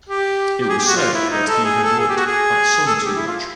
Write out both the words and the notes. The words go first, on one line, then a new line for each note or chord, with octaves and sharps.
It was said that he had "looked at the sun too much".
G4
G4
G#4
G4
F#4
F4
E4
D#4
A4
G#4
A4
G#4
G4
F#4
G#4
A4
G#4
G4
E4
F4